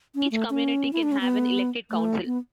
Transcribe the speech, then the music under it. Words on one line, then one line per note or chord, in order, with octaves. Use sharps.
Each community can have an elected council.
C#4
A3
C#4
E4
D4
C#4
B3
A3
B3